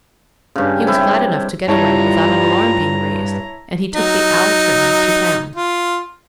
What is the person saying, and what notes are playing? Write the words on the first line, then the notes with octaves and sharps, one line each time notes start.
He was glad enough to get away without an alarm being raised, and he took the "owl" train to town.
G2 C#3
C3 E4
G2 G3 E4 F4 C#5 A5 A#5
F#3 D#4
F4